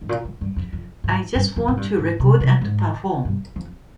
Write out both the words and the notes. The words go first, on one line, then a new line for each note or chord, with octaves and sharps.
I just want to record and perform.
G#2
A#2
G#2
G2
F2
F2
G#2
G2
F2
G#2
G2
G#2
C3
C3
G#2
G2
F2